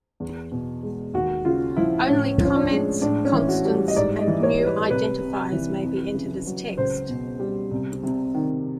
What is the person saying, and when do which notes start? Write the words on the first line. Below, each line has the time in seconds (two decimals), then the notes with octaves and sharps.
Only comments, constants, and new identifiers may be entered as text.
0.20 E2
0.52 B2
0.83 G#3
1.14 D#2 F#4
1.45 C#3 F4
1.77 F3 E4
2.08 A2 C#4
2.40 F3
2.45 C#4
2.55 D4
2.71 G#3
3.02 A2 D4
3.25 C#4
3.33 E3
3.49 F#4
3.65 G3
3.88 D#5
3.96 G#2 D5
4.19 D#5
4.28 E3
4.43 C#5
4.58 G3
4.66 B4
4.90 C2 B4
5.20 C3
5.52 E3
5.83 F2
6.14 C#3
6.47 F#3
6.77 C#2 C5
7.09 B2
7.40 G3
7.71 C2
8.03 C3
8.35 D#3